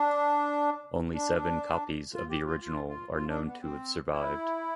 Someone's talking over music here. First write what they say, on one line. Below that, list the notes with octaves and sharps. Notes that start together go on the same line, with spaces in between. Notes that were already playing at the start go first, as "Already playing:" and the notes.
Only seven copies of the original are known to have survived.
Already playing: D4
D4
F4
G4
F4
F4
F4
F4
D4
B3
C4
E4